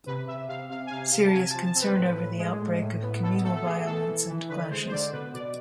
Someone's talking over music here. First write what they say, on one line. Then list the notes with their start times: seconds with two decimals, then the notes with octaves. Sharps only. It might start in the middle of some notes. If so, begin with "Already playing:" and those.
Serious concern over the outbreak of communal violence and clashes.
0.06 C3 B4
0.27 C3 E5
0.48 C3 F5
0.70 C3 F5
0.86 G#5
0.91 C3 F5
1.12 C3 F5
1.26 A5
1.32 C3 G#5
1.49 A5
1.54 F3
1.65 A5
1.75 C4
1.81 B4
1.97 A2
2.17 A2
2.38 G#3
2.60 A2
2.81 A2
3.02 B3
3.23 B2 A4
3.44 A3 A4
3.56 A4
3.65 B2 G#4
3.86 E3 A4
4.07 E3
4.28 E3
4.49 D3 B4
4.70 G#3 C5
4.87 C5
4.91 D3 D5
5.12 B2 B4
5.33 B2 D5